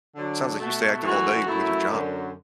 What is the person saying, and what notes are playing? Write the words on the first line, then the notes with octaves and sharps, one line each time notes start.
it sounds like you stay active all day with your job.
D3 F#3 D4
B2 A3 F#4
F#2 E3 A3 F#4
F#2 F#3 A3 E4
F#2 D3 F#3